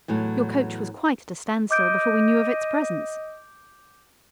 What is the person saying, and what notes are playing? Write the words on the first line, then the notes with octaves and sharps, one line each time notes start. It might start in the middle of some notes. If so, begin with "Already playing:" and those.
Your coach was quite at a standstill before we knew of its presence.
E2 A2 F#3
D#5 D6 G6 D7